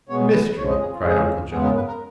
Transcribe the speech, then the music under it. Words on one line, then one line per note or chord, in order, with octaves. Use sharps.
"Mystery!" cried Uncle John.
B2 G#3 B3 C#5
B4
F2 C#3 F3 G#3 C#5
D#5
G#4
F4
F2 C#3 F3 G#3 G#4
C#3 G#3 B3 G#4
A#4
B4
A#4